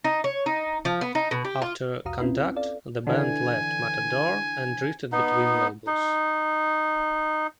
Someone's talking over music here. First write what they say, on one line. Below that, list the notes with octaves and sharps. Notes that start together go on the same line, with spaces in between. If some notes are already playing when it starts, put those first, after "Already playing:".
After "Conduct", the band left Matador and drifted between labels.
D#4
C#5
D#4
F3
B3
D#4
B2
G4
F4
C2 F2 F#4 F5 A#5 D#6
C4 C#4 E4 F4 B4
A4 D5 F5
D3 E3 G#5
B3 D#4
D#4